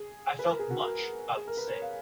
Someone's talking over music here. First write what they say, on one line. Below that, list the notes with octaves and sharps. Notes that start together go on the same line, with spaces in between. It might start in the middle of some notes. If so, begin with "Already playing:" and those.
I felt much about the same.
Already playing: G#4
B4
A#4
G#4
F#4
A#4
G#4
A#4
B4
C#5
F5